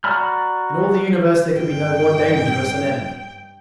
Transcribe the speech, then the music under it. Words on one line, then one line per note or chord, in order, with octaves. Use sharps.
In all the universe there could be no more dangerous an enemy.
F#4 D5 A#5 B5 F6
G2 G5